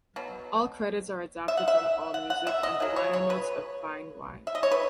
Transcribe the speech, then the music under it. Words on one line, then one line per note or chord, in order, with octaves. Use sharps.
All credits are adapted from Allmusic and the liner notes of "Fine Wine".
B2 F#3
E5
F#5
E5
F#5
F#5
E5
D#5
C#3 F#3
C#5
C#5
B4
E5
D#5
C#5
B4